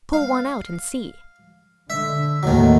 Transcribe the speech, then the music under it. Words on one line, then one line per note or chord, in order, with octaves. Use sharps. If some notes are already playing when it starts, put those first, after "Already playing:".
"Pull one out and see!"
F5
D3 E5
D#2 A2 D#3 F#3 A3